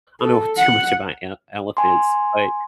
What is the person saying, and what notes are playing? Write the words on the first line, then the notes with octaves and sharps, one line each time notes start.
I don't know too much about el elephants, but
A4
F#5
G#5 C6